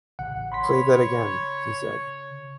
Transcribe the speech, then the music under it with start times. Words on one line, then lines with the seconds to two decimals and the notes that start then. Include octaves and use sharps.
'Play that again,' he said.
0.19 A1 C#3 F#5
0.52 C#5 B5 C6 B6